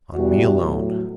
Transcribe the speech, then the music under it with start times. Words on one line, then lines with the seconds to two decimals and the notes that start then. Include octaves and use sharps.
On me alone.
0.15 E2 B2 G3 F#4
0.61 A2 F#3 A3